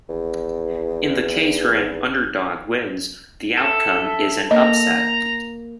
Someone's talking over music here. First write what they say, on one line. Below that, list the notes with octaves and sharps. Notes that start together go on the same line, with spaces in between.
In the case where an underdog wins, the outcome is an upset.
G#1 E2
A4 E5
A#3 D#5 A#5